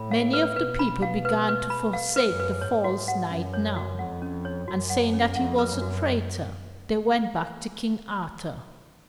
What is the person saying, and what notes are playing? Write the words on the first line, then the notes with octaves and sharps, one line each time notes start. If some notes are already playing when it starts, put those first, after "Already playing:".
Many of the people began to forsake the false knight now, and saying that he was a traitor, they went back to King Arthur.
Already playing: A2 B5
F5
B4
B2 B4
B5
F5
B4
B4
B5
F5
B4
F#2
B4
G#2 C#5
F#4
F#5
F#2 C#4
C#5
F#4
F2 F#5
C#4
C#5
F#2 F#4
F#5
C#4
F2 F#5
B4
F#2
F#4